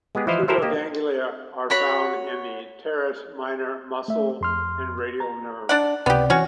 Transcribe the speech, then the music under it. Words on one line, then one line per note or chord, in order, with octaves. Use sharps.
Pseudoganglia are found in the teres minor muscle and radial nerve.
G#3 B3 G4 G#4
E3 F3 E4 C5 D#5 F5
E4 G4 A4 A#4 C5 E5
A#3 G4 D#5
F#4 C#5 B5
A3 E5
F2 C6 F6
A#5
D4 D5 F#5
C#2 C3 B3 G4 D5
E3 C#4 F#4